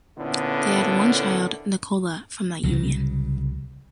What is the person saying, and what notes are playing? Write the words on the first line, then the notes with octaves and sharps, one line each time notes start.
They had one child, Nicola, from that union.
A#2 D3 B3 C#4 E4 A4
C2 C#3 F#3